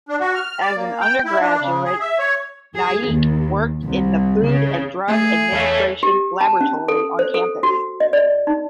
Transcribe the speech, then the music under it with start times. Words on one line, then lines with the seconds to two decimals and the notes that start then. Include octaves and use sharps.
As an undergraduate Naik worked in the Food and Drug Administration laboratory on campus.
0.09 D4
0.20 F#4
0.35 F6
0.61 D5
0.76 A#3
1.01 G5
1.25 E4
1.40 D4
1.61 C#3
1.85 G#4
2.00 E5
2.19 C#5
2.75 G#4
3.07 D#2
3.84 C2
4.45 C#3
5.08 A3 G#4 E5 D#6 A6
5.52 E2 E3 A3 C#5 F5
6.03 G4
6.41 A5
6.61 C#4
6.88 A4
7.19 C5
7.34 A4
7.63 F#4
8.00 D#5
8.13 D5
8.47 D#4